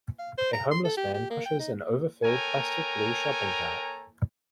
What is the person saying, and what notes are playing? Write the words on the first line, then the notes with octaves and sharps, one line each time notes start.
A homeless man pushes an overfilled plastic blue shopping cart.
F5
C5
A#5
C6
A4
G4
G4
A#3
G5
D#4
A4 A#4 C#5 G5 G#5 A#5